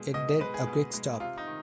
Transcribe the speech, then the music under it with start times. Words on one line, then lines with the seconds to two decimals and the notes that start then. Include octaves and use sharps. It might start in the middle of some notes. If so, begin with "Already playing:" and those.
It did a quick stop.
Already playing: B2 G#3
0.14 B2 D#5
0.41 G#3 B4
0.54 G#4
0.67 B2
0.94 G#3
1.20 C3 F4
1.38 D#4
1.47 D#3